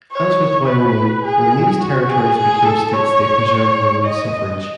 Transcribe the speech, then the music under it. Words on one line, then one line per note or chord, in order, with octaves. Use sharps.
As with Wyoming, when these territories became states they preserved women's suffrage.
C#5
B4
G#4
F#4
G#4
G#4
A4
C#5
D#5